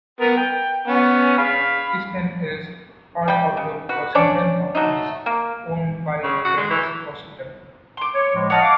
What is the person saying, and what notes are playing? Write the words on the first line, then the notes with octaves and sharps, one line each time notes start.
Seaspan is part of the Washington Companies, owned by Dennis Washington.
B3 A#4
G5
B3 C#4
F5 B5
G3 G5
C#3
F#4 B4
C#4 D4 C#5 D5
F#3 A3 D#4
A#3
C#3
F#4
G#3
E3
C6 D6
C#5
A2 F3 G#3
C#5 D#5 F#5 A5 F6
F5 F#5 D6